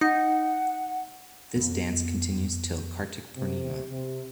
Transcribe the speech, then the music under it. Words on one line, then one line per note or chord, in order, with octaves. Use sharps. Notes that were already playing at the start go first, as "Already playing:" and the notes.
This dance continues till Kartik Purnima.
D#4 F#5
F2 B3
C3
C3